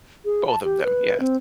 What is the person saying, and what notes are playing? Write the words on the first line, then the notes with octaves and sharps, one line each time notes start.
Both of them. Yes.
G#4
A5
G4
B4
C4